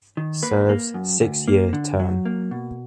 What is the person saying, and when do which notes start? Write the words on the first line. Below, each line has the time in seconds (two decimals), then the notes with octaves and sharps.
Serves six year term.
0.17 D#3
0.43 A#3 B4
0.69 A#3
0.94 F#2
1.20 D2
1.48 A#3
1.73 D3
2.00 F#3
2.25 A#3
2.51 B2